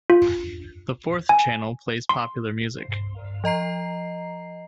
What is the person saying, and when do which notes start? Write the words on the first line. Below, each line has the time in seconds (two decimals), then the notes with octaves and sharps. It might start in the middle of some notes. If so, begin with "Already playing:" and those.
The Fourth Channel plays popular music.
0.10 F4
1.29 G#5
2.09 C6
3.44 F3 D#5 A#5 C7